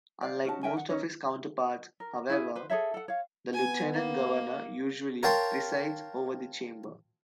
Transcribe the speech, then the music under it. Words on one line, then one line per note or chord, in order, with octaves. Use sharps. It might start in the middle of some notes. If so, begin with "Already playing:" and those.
Unlike most of his counterparts, however, the lieutenant governor usually presides over the chamber.
D5 F5
C#4 D#4 F#4 A5
A#4 E5 G5 G#5
F#5
C#4 D#4 C#5
A#4
E4 G#4
B4 C5
G#4 A4 C#5 E5
A4 F#5
C#5 F5
B3 G#5
A#3
A#4 C#5 F5 G5 A5 C6